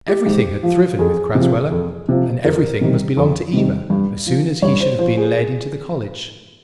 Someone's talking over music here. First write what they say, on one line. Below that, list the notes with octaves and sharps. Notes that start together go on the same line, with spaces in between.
Everything had thriven with Crasweller, and everything must belong to Eva as soon as he should have been led into the college.
G4
G#2
F3
F2 G#4
C3
F3
F2
C3 F3
F2 A#4
C3 D#3 G3
F2
C3 D#3 G3
G2
F3
G2 C#5
C5
F3 C5
G#4